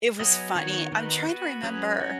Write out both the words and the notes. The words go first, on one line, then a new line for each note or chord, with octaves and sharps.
It was funny. I'm trying to remember
F#3 B3 G#4 D#5
D#3 B3 F#4 C#5
D#3 B3 D#4 F#4 B4
B3 F#4 B4
F#3 C#4 G#4 B4
F#3 C#4 F#4